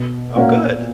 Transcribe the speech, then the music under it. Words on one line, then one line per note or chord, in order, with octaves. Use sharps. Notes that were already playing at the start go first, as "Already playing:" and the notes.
Oh, good.
Already playing: B2
A#2 A#3 C#4 F#4